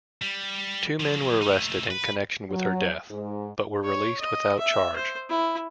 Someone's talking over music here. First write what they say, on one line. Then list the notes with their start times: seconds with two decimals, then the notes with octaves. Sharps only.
Two men were arrested in connection with her death, but were released without charge.
0.22 G3
1.00 F3 F#3
1.42 A3 D#4
1.91 B4
2.51 F#3
3.10 G#2
3.84 C#5
4.20 D#5
4.59 E5
4.96 C5
5.30 E4